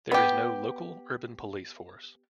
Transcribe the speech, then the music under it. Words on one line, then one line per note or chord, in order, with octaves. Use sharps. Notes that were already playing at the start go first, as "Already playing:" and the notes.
There is no local urban police force.
B3 G4